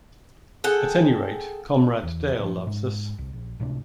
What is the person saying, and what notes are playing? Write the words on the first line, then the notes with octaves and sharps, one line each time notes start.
At any rate, Comrade Dale loves us.
G#4 A4 F#5 G5
E2
A2 E3 F3
G#2
C2
A#1
C#2 A2 C3 D4